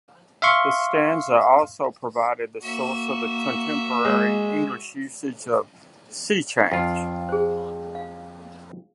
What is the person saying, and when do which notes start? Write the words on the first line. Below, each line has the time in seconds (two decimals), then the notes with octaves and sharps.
This stanza also provided the source of the contemporary English usage of "sea change".
0.42 E5 F5 C6 C#6
2.62 A#3 F#4 E5
4.05 G#3
6.72 F2 F4
7.29 G#4 C5
7.95 F5